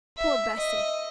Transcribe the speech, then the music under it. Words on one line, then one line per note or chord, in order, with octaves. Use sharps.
'Poor Bessy!
E5
D#5